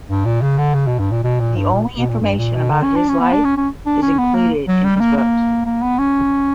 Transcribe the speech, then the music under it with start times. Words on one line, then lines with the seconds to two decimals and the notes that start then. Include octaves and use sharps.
The only information about his life is included in his books.
0.09 G2
0.25 A#2
0.42 C#3
0.58 D3
0.74 C#3
0.87 B2
0.99 G2
1.11 A#2
1.24 B2
1.40 A#2
1.56 G2
1.73 A#2
1.97 B2
2.10 A#2
2.22 G2
2.38 A#2
2.55 B2
2.71 D3
2.83 C#4
2.96 D4
3.08 C#4
3.20 B3
3.32 D4
3.45 C#4
3.57 C#4
3.86 D4
4.02 C#4
4.18 B3
4.35 A#3
4.68 F#3
4.84 G3
4.96 G3
5.00 A#3
5.17 A#3
5.66 A#3
5.82 B3
5.99 C#4